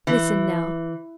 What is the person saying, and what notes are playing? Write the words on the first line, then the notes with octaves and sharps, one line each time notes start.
Listen now.
E3